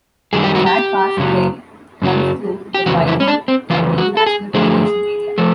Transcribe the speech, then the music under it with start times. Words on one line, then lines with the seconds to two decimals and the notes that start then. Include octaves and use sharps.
The Bad Pass Trail runs through the Bighorn Canyon National Recreation Area.
0.33 F#2 D#3 G3 G#4
0.44 G4
0.55 F#4
0.66 G4
1.17 F#2 C#3 F#3
2.02 F#2 C#3 F#3
2.75 G4
2.86 F2 C#3 E3 F#4
3.07 E4
3.20 C#4
3.28 D4
3.48 C4
3.70 F2 C#3 E3 F4
3.98 F#4
4.17 A4
4.26 G#4
4.54 F#2 D3 F3 A3 G#4
5.38 F3 A3